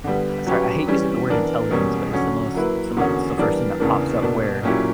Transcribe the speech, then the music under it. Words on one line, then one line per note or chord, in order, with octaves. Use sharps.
sorry, I hate using the word intelligence, but it's the most, it's the mo it's the first thing that pops up where,
D3 G3 B3
F#3 C#4 G4 B4
E3 G3 C#4
E3 B3 D4 A#4
E2 B2 G3 A#3 C#4
D3 F#3 C#4
F#3 A#3 E4 B4
E2 D3 A#3 C#4 F#4
E3 G3 B3 D4 A#4
E2 C#3 E3 A#3 D4
B2 A#3 D4
A#2 F#3 C#4 E4 G4